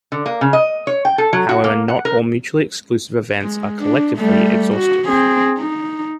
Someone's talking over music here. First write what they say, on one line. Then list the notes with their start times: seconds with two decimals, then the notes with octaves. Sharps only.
However, not all mutually exclusive events are collectively exhaustive.
0.12 D3
0.26 A#3
0.41 C#3
0.53 D#5
0.87 C#5
1.05 G5
1.18 A4
1.33 F#3
1.49 F#4
1.64 A#3
1.88 F#5
2.05 A#4
3.42 G#3
3.80 D4
4.18 G3 A3
4.74 F#4
5.06 C4 G#4
5.58 D#4